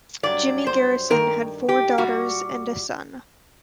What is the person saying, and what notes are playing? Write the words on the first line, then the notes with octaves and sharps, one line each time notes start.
Jimmy Garrison had four daughters and a son.
G2 F#3 D5
C5
G2 D#3 A#4
G4
A#2 G3 F#4